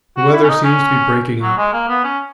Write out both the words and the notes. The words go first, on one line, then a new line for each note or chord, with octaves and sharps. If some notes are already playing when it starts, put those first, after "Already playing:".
The weather seems to be breaking up.
F#4
E4
C#4
D#4
C#4
F#3
G#3
A#3
B3
C#4